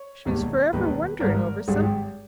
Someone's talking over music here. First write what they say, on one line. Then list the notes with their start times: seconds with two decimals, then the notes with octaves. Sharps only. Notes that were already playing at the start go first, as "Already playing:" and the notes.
She was forever wondering over something.
Already playing: C#5
0.25 E1 D#2 D#3 G3
0.73 E1 D#2 D#3 G3 B4
1.20 G#1 G2 G3 A#4
1.68 G#1 G2 G3 G#4
1.84 G4